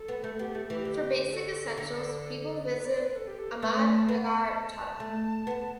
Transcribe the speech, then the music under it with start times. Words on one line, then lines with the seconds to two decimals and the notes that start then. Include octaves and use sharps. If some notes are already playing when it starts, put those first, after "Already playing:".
For Basic Essentials People visit Ahmad Nagar Chattha.
Already playing: A4
0.08 B3
0.24 A3
0.39 B3 G4
0.53 A3 A4
0.67 E3 G4
0.85 D3
1.26 G4
1.31 A4
1.77 D3
2.70 B4
2.85 D5
3.00 B4
3.16 A4
3.28 G4
3.39 A4
3.51 B4
3.61 A3 B4
3.77 D5
3.93 A5
4.08 B3 B5
4.24 B5
4.39 A5
4.54 A5
5.00 A3
5.47 B3